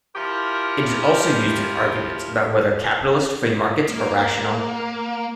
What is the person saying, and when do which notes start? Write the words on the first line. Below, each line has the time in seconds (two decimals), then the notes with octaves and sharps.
It is also used in arguments about whether capitalist free markets are rational.
0.15 F3 E4 G4 A#4
3.90 A#3